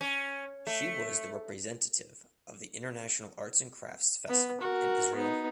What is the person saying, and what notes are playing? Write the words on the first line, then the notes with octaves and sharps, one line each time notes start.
She was the representative of the International Arts and Crafts Festival in Israel.
C#4
A3
B3
F#4 A#4
B3 D#4